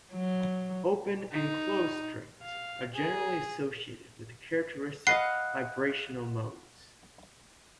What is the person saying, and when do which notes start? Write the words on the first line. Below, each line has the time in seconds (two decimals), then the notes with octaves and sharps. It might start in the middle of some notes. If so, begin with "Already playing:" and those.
Open and closed strings are generally associated with characteristic vibrational modes.
0.13 F#3
1.32 D#4
2.42 F5
2.94 G#4
5.07 B4 D#5 F5 F#5 C7